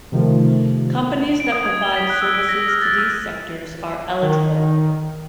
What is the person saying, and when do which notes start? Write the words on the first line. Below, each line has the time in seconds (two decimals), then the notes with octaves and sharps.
Companies that provide services to these sectors are eligible.
0.12 C3 D#3 F3 A3
1.40 D7
1.52 D#6
1.66 G#6
1.83 G7
1.96 B6
2.10 F#6
2.22 E6
2.35 D7
2.49 A#6
2.68 F6
2.82 A6
2.99 E6
4.22 D#3